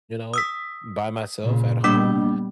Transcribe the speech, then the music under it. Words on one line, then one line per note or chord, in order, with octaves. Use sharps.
you know, by myself at home,
D#6 E6 B6
A#2 C#3
G3 A#3 B3 D4 D6